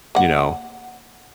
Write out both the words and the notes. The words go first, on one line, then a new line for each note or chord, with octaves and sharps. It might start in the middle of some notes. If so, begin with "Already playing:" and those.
you know,
A#3 F#5